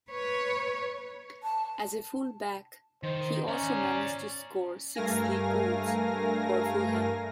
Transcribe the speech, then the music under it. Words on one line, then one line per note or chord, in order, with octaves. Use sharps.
As a full back he also managed to score six League goals for Fulham.
B4 C#5
A5
D#3 C5
C#4 D5 A#5
G2 A3 A#4 F5 G#5 A#6